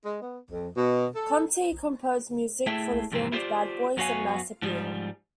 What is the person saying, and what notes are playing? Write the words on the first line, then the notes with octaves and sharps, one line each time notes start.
Conti composed music for the films "Bad Boys" and "Mass Appeal".
G#3
B3
F2
B2
A4
A3 E4 G#4 E5 G5
F2 G#2 C3 E3 C4
E4 F4 G4 B4 C5 D5
F#2 B3 F#4 C#5 F5 G#5
G#2 F3 G3